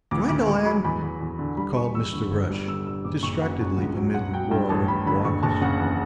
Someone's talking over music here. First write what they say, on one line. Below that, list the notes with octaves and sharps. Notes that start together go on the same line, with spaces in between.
"Gwendolyn!" called Mr. Brush, distractedly amid the roar of waters.
D2 D6
D2 D6
D2 C#6
F#3 B5
E2 B5
E2
E2
D3
G3 B5
G3 C#6
E2 E6
D3
G1
G3
D3 E6
G3 E6
F#1 D6
F#1 C#6
F#2 F#5
F#2
C#2
F#3
B2 F#5
F#3 G5
G2 G5
A1 A5
A1 B5
D3 B5
F#1 C#6
F#1 A5
C#3 F#5
E2